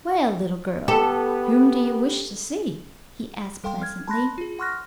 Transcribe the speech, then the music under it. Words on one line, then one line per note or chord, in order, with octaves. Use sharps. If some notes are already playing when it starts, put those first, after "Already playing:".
"Well, little girl, whom do you wish to see?" he asked pleasantly.
B3 G4 A4
G3 A4 F5 G5 C6
F6 G#6
A5 B5 C6 F#6 A#6
F4 G#4
F#5 C6 C#6 F6 F#6 A#6